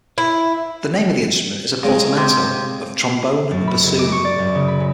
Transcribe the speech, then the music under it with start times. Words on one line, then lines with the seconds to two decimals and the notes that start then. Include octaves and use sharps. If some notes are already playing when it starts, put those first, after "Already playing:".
The name of the instrument is a portmanteau of "trombone" and "bassoon".
0.18 E4
1.83 C#3 G#3 C4
2.17 C3
3.51 F#2
3.68 B5
3.83 C#2
3.99 D6
4.12 C#6
4.25 D5
4.39 F#2
4.55 C#3
4.68 B5
4.80 C#3